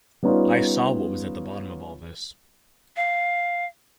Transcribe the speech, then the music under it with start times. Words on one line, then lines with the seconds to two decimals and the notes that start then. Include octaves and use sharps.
I saw what was at the bottom of all this.
0.23 G3 B3 C#4 D#4 F4
2.96 F5